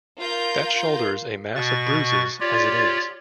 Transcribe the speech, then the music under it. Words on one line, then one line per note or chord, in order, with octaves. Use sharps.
That shoulder's a mass of bruises as it is.
F4 A#4 G6
B2 C#6 A6
F4 G4 C#5 D5